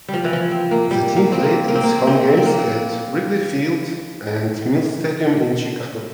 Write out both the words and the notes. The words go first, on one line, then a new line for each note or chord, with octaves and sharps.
The team played its home games at Wrigley Field and Mills Stadium in Chicago.
F3 G3
E3
F3
C4
A#3
G3
A#3
C4
A#3
A#3
C4
A#3
C4
C4
A#3